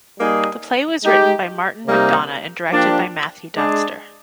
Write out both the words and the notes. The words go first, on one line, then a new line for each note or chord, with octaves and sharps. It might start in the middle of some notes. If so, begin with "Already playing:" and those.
The play was written by Martin McDonagh and directed by Matthew Dunster.
G3 A#3 D#4 G#4
G#3 D#4 G4
C3 G3 A#3 D#4
F3 A#3 D4 G4
G#3 D4 G#4